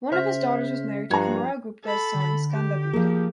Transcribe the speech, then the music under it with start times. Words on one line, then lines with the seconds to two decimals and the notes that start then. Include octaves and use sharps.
One of his daughters was married to Kumara Gupta's son Skanda Gupta.
0.12 C#3 C5 E5 F6
1.11 G2 F3 F4 F#4 A#5 G#6
1.84 A4 B5
2.14 D3
2.51 G4
2.93 F3 A#3 G#4